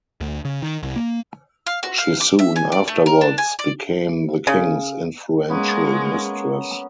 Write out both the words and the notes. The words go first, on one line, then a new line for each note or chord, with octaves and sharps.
She soon afterwards became the king's influential mistress.
D2
C#3
D#3
C2
A#3
F5
F#4
F5
D6
E5
G#5
D5
A3
A#4
D4
G#5
D5
C#3
G#3 A#3 B3 C#4